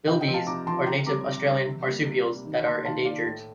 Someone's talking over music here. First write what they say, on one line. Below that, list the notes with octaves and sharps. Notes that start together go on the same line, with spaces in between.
Bilbies are native Australian marsupials that are endangered.
C3 D#5 G5
D#5 G5
F3 C4
F5 A5
C3 A#5 D6
F3 C4 A5 C6
C3 G5 A#5
G3 C4 A#5 D6
C3
G3 C4
C3
G3 A#3
C3
G3 A#3
D#3
A#3 A5 C6
D#3 F5 A5
A#3 D5 F5
A2